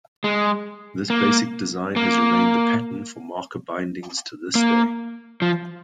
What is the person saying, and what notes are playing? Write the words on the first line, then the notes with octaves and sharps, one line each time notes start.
This basic design has remained the pattern for Marker bindings to this day.
G#3
A#3
A#3
A#3
F3